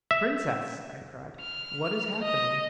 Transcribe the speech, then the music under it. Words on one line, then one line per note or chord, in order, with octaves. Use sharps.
"Princess!" I cried, "what is happening?"
E5
F6
D#5